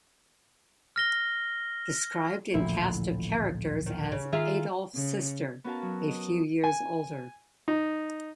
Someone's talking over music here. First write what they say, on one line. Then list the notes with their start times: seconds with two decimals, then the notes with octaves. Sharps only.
Described in cast of characters as 'Adolf's sister, a few years older.
0.96 F6 A#6 G7
2.54 A1 D2 A#2 D3 F3 E4
3.86 D#3
4.12 C#3
4.32 D#3 F4 G#4 E5 A#5
4.95 C#3
5.64 B3 C#4 F#4 A#4 F5 A5
5.82 F#3
6.07 D#5
6.64 G#5
7.68 D#4